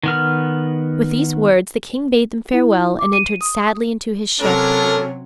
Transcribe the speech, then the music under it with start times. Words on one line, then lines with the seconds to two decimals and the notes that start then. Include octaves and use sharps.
With these words the king bade them farewell and entered sadly into his ship.
0.03 D#3 B3 F6
2.53 E4
2.99 D6
3.13 D#7
3.41 D#6
4.40 C3 F#3 C#4 D4 F4 A4 A#4